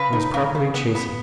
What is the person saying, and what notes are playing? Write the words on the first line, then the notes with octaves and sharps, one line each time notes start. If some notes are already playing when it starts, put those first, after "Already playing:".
I was properly chastened.
Already playing: C#3 B4
D#4
C#3
C#3
B3
B3